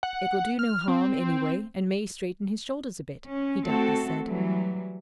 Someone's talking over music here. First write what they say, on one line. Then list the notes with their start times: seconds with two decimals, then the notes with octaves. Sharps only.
"It will do no harm, anyway, and may straighten his shoulders a bit," he doubtless said.
0.03 F#5
0.59 F6
0.88 C4
3.26 C#4
3.65 A3 C4 F#4 A4
4.26 E3 F#3 G3